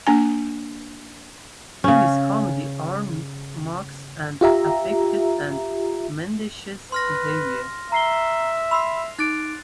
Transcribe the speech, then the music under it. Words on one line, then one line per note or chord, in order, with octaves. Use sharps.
In this comedy Aanrud mocks at affected and mendacious behaviour.
A#3 D4 G#5
C#3 C#4
F4 G4 E5 A#5
B4 C6 F6 A#6
E5 A#5 C7 G7
B5 C6 E6 C7 F7
D#4 D6 F#6 A6 D7